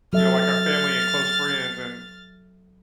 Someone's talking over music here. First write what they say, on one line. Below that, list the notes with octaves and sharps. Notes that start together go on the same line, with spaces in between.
you know, like our family and close friends, and
F#3 A4 E5 F6 A6